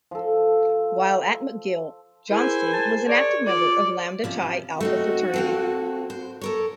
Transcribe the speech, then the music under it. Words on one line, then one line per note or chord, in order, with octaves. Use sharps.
While at McGill, Johnston was an active member of Lambda Chi Alpha Fraternity.
F3 A4
E4 G#4 A#4 C5 G#5
A5
C#5 D5
F4 D5
C3 F3 C#4
A3 C4 D#4 F#4
A#3 C4 A4
C5
A4 A#4 C#5